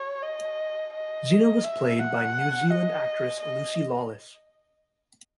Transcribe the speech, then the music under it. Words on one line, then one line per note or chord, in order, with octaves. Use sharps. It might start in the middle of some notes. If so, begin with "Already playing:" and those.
Xena was played by New Zealand actress Lucy Lawless.
Already playing: C#5
D#5
D#5
E5
F#5
D#5
D#5